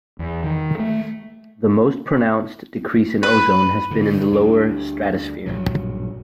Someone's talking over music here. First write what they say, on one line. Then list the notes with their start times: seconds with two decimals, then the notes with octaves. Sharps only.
The most-pronounced decrease in ozone has been in the lower stratosphere.
0.19 E2
0.44 D#3
0.79 A3
3.23 B4
3.91 G2 D3
4.32 D2 G3 D4
5.46 A#1 G2 B2 F#3